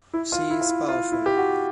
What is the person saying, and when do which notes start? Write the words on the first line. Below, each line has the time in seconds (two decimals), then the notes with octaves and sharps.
She is powerful.
0.13 E4
0.32 F4
0.50 E4
0.61 F4
0.69 E4
0.88 F4
1.12 E4
1.26 G4
1.37 F#4